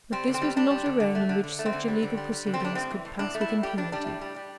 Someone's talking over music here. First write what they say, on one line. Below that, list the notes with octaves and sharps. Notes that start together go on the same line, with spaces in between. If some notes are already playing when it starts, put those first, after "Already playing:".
But this was not a reign in which such illegal proceedings could pass with impunity.
G3 C4
D3
C4
G3
G3 D4
G3
D3
D3
A3
D3
D3
A3
C4
D3
G3
D3
G3
G3
D3
C4
G3 D4
A2 C4
E3
A2
A2 D4
A3
E4
A2
G3 G4
G3 D4
G3 D4
A2
G3
G3